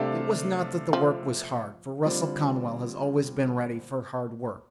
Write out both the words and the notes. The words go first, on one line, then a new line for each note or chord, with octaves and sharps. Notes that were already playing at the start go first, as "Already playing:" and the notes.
It was not that the work was hard, for Russell Conwell has always been ready for hard work.
Already playing: C3 G3 A3 D4 A4 F5
F3
D3 G3 C4 F4 D5